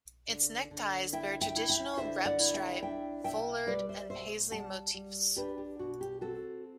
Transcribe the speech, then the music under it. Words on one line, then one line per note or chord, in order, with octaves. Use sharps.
Its neckties bear traditional repp stripe, foulard, and paisley motifs.
D3
D3
E4 E5 G5
E5 G5
E4
E5 G5
D3 C5 E5
D5 F#5
E4
E5 G5
D4 E5 G5
B2 E5 G5
G3 B4 D5
C5 E5
B2 C5 E5
G3 F#5 A5
G3
D4 G4 B4
G4
B2 F#4
G4
C4 F#4 A4